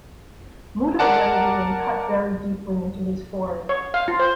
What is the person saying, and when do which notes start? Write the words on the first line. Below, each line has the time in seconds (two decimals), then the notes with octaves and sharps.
Muta bladed and cut very deeply into his forehead.
0.99 A#4 D5 F#5 A5
3.69 C#5
3.94 F5
4.08 F4
4.19 C5